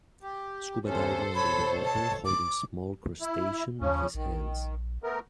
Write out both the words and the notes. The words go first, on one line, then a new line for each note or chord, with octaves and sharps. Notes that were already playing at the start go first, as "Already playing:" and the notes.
Scuba diver under the water holding small crustacean in his hands.
G4
D#2 C3 C#4 A4 C5
B2 C#5 B5
A5
D6
E4
D#2 C#3 F3 C#4
A#1 D#3
A3 B3 A#4